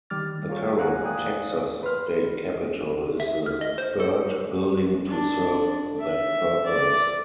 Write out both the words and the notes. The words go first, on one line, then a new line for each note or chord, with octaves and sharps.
The current Texas State Capitol is the third building to serve that purpose.
D#3 G3 D6 F6 A6
F4 G#4 A#4 C#5
F5 F#5 G#5 A#5 F#6
D5 F5 G5 G#5 D#6 F#6
B4 B5 C6 F6
E5
F6
D#5
C5
A4
D4
E5
D5